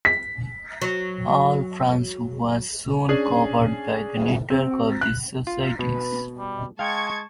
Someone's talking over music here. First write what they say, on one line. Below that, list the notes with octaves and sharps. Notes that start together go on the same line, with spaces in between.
All France was soon covered by the network of these societies.
B6
F#3
C#4 D4 G#4 G#5
C4
F#6
F4
B2 B4
G3
G#3 F5 G5 A5 C#6 G#6